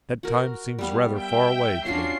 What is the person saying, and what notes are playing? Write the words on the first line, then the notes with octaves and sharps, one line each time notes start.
"That time seems rather far away to me."
F#4 A#4
G3 B3 F5
E5 G5
C#4 D4 F4 F#4 C#5 C7